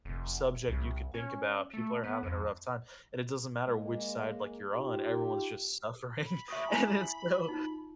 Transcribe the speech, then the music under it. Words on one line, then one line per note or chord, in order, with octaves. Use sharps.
subject you could think about, people are having a rough time, and it doesn't matter which side, like, you're on, everyone's just suffering, and it's so
F1
C2
C#4
A3
B3
F2
G#3 A#3
D#4 F4 G4
B5
E5 C#6 D#6
E4 G#5 A#5
D#4 F4